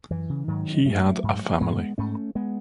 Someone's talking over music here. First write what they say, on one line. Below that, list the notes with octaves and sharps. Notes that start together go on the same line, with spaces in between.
He had a family.
F#2 E3
C#3
G#2 D#3 F#3
G#3
G#2 F#3 A3
G#2
G#2 G#3 B3
G#2 A3 C#4
G#3 B3